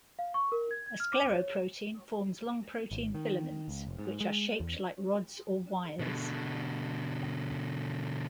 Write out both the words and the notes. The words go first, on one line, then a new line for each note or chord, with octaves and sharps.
A scleroprotein forms long protein filaments, which are shaped like rods or wires.
F5
C#6
A#4
G#6
G#6
F6
D6
C#5
E7
G#1
D#3
C#2
F1
G#2
G#3
E2
B2 D3